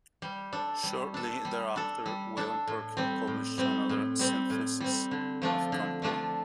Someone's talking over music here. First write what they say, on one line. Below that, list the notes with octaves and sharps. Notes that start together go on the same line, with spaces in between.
Shortly thereafter, William Perkin published another synthesis of camphor.
G3
D4 A4
G3
D4 A4
G3
D4 A4
G3
D4 A4
A2
G3 C4
A2
G3 C4
A2
G3 C4
A2
G3 C4
D3
F3 A3 D4 F4
D3
F3 A3 D4 F4